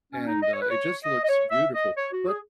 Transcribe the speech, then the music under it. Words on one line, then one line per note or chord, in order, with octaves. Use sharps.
and, uh, it just looks beautiful, but
C#4
D#4
D#5
C#5
B4
C#5
D#5
D#5
C#5
E5
D#5
C#5
F#4
G#4